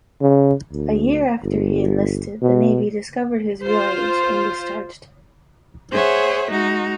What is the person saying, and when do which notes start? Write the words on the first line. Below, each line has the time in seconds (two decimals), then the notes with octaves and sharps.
A year after he enlisted, the Navy discovered his real age and discharged him.
0.21 C#3
0.72 D2
1.42 G1
2.42 B2
3.63 F4 C5
5.91 G#4 C5 C#5 E5 F#5
6.50 G#3 D#4 F#4